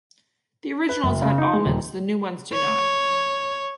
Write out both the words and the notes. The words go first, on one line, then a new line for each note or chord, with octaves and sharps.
The originals had almonds, the new ones do not.
B4
F#1
C#3
D#4
G#3
D#1
C#5